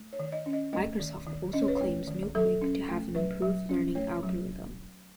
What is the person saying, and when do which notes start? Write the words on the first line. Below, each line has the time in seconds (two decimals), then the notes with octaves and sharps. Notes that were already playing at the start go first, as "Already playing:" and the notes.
Microsoft also claims New-Quick to have an improved learning algorithm.
Already playing: A3
0.13 C#5
0.19 D#3
0.32 D#5
0.46 C#4
0.53 D#5
0.73 A3 D#5
1.00 D#3
1.26 D#3
1.53 C#4 D#5
1.61 C#5
1.68 B4
1.76 A3 C#5
2.07 D#3
2.35 F#3 A4
2.62 C#4
2.89 A3
3.15 F#3 B4
3.42 F#3
3.69 C#4
3.95 A3 C#5
4.23 F#3